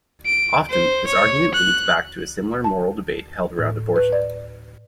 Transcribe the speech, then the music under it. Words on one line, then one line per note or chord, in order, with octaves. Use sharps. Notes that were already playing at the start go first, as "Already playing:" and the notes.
Often, this argument leads back to a similar moral debate held around abortion.
D7
C5
C#5
F#6
A5
A2
B4
D5